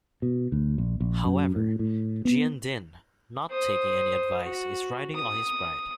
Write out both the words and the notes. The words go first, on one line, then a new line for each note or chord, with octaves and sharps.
However, Gian Dinh, not taking any advice, is riding on his pride.
B2
D2
A#1
A#1
F#2
A2
A2
B3
C5 D#6
F#4
D#6